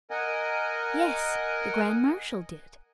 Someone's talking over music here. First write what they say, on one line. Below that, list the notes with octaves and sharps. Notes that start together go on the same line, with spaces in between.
"Yes; the grand marshal did."
A#4 D#5 F#5 G#5